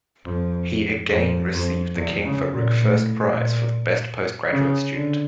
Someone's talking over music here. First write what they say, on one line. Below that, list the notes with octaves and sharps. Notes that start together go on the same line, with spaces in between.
He again received the King Farouk First Prize for the best postgraduate student.
F2
F2
F2
E2
C#3
A#2
A2
A#2
C#3
D3